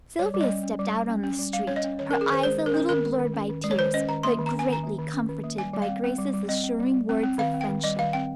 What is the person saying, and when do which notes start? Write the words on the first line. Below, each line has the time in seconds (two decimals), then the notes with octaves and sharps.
Sylvia stepped out on the street, her eyes a little blurred by tears, but greatly comforted by Grace's assuring words of friendship.
0.19 G3 C#5
0.34 G3
0.41 D#5
0.49 C#4
0.63 C#4
0.79 G3
0.93 G3
1.09 C#4
1.23 C#4
1.39 G3
1.53 G3 F5
1.67 C#4 C#5
1.76 D#5
1.84 C#4
1.99 D#3 C#5
2.11 C#4 A#4
2.21 G#4
2.29 D#3 C5
2.43 G#3 C5
2.59 D#3
2.66 A#4
2.74 C#4
2.89 D#3 A#4
3.04 G#3
3.19 D#3
3.34 C#4
3.49 D#3
3.64 G#3
3.71 C#5
3.79 D#3 C5
3.94 C#4 D#5
4.09 D#3 A#5
4.23 A#3 C6
4.39 D#3
4.46 A#5
4.54 C#4
4.59 G#5
4.69 D#3 A#5
4.83 A#3
4.99 D#3
5.13 C#4
5.29 D#3
5.44 A#3
5.58 G3 G#5
5.73 G3
5.82 F5
5.89 C4
6.04 C4
6.18 G3
6.34 G3
6.48 C4 D#5
6.64 C4
6.79 G3
6.94 G3
7.09 C4
7.23 C4
7.38 D#3 F5
7.54 C4
7.61 G5
7.69 D#3
7.84 G3 D#5
7.99 D#3 F5
8.13 C4 G5